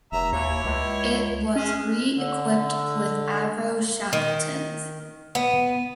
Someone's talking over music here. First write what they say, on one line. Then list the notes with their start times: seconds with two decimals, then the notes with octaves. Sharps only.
It was re-equipped with Avro Shackletons.
0.12 F1 E5 A#5
0.33 D#2 E4 C#5
0.65 C#2
1.56 G#3 C#4
2.16 D3
4.13 D#3
5.35 B3